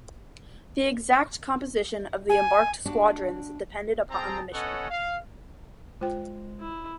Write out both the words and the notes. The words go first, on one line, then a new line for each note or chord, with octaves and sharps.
The exact composition of the embarked squadrons depended upon the mission.
G#5
D4 F#4 G4 D5
C4 G#4 G5 A5 A#5
B3 C#4 A4 C#5 D#5 F#5
F5
G#3 F4 C5 G5
E4